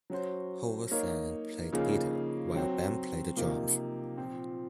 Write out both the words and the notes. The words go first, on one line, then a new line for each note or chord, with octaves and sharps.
Howard sang and played guitar while Ben played the drums.
F#3 C#4 F#4 C5
A#3 D#4 A#4 C#5
C#3 F3 A#3 D#4 G#4
F#3 C4 F#4
C3 F3 A#3 D#4 A#4
A#2 F3 C4